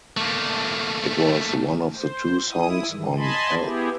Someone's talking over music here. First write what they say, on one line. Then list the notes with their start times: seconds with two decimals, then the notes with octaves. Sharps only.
It was one of the two songs on Help!
0.17 A3 A#3
1.95 C5
2.51 E4 D#6
2.88 G#2 D#3 E3 G3 G#3
3.17 D#5 G#5 A5 B5 C6
3.58 B3 E4 G4 G#4